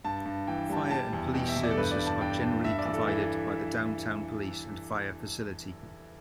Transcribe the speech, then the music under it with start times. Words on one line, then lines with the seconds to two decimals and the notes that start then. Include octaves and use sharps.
Fire and Police Services are generally provided by the downtown police and fire facility.
0.04 G2 A5
0.25 G2
0.47 E3 G5
0.70 G3 A5
0.77 G5
0.90 G3 A5
1.13 E2
1.34 B2 G5
1.49 E5
1.56 E2
1.63 D5
1.71 A4
1.77 G2 B4
1.92 D5
1.99 G2
2.06 A5
2.21 G2 G5
2.42 G2
2.64 G2 E5
2.79 D5
2.85 E3
2.94 A4
3.07 E3